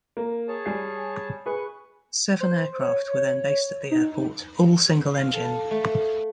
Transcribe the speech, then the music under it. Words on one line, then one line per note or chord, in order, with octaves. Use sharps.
Seven aircraft were then based at the airport, all single-engine.
A#3
G#4 C#5 A5
G3 G#5 C7
G#4 B4 C#6
C5
C#5
D#4
F5
A4
A3